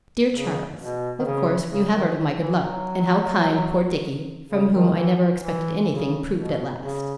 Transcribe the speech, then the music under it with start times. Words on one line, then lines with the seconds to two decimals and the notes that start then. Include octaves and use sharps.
'DEAR CHARLES--Of course you have heard of my good luck, and how kind poor Dickie--from whom I never expected anything--proved at last.
0.31 C#3
0.78 B2
1.19 D#3
1.25 C#3
1.70 C#3
1.94 D#3
2.40 E3
2.63 F#3
4.50 C#3
4.73 D#3
4.96 E3
5.42 E3
5.89 C#3
6.35 B2
6.82 C#3